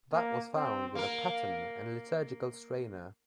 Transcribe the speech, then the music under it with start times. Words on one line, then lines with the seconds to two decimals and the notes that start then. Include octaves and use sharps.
That was found with a paten and liturgical strainer.
0.12 A#3
0.55 C4
0.95 A#3 A#4